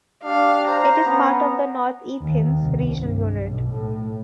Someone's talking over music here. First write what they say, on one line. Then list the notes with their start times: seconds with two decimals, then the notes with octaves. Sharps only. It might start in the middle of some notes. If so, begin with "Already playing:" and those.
It is part of the North Athens regional unit.
0.24 D4 G4 F5
0.67 C5 A#5
1.06 B3 C#4
2.21 D#2
2.59 C2
2.98 G2
3.39 B1
3.71 A2